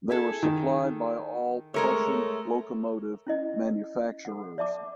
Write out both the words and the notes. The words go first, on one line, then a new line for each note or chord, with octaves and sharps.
They were supplied by all Prussian locomotive manufacturers.
E4 G#4 A4
D#3
G#3 A3 A#4 C#5
C#4 E4 D#5
A4 F#5
D5 E5 A5 D6